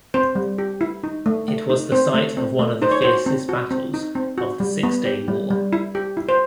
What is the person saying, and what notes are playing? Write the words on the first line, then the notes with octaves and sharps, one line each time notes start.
It was the site of one of the fiercest battles of the Six-Day War.
C4 C5
G3
G4
E4
D#4
A3
A3
D#4
C4 C5
A3
C4
A3
D#4 C5
C#5
F#4 C5
C4
F#4
C4
D#4
C4
F#4
G3
B3
G4
G3
G3
E4
G4
E4
C5